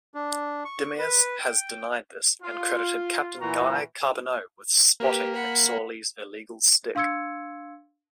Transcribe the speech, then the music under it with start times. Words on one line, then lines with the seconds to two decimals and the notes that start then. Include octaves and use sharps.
Demers has denied this and credited captain Guy Carbonneau with spotting McSorley's illegal stick.
0.14 D4
0.65 C#6
0.98 B4
1.39 G5
2.42 F4
3.40 A#2 E3 E4 F#4 A#5
5.00 A#3 G4 B4
5.34 F#5 B5
6.95 D4 F5 C6 E6 G#6 C#7